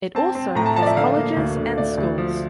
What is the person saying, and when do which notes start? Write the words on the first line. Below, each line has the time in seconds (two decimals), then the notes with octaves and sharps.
It also has colleges and schools.
0.15 C4 A5
0.35 C4
0.55 A2 A#5
0.66 A5
0.76 F3 A5
0.82 D5
0.87 E5
0.96 D3 F5
1.16 A#3
1.37 D2
1.57 D3
1.77 D2 D5
1.98 D2
2.18 F3